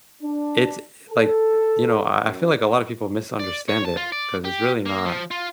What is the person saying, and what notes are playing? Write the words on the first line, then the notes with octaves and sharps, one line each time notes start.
it's, like, you know, I I feel like a lotta people misunderstand it 'cause it's really not
D4
A4
F#2
D5
C#5
A5
F4
D5
G4
A#3
F3
F4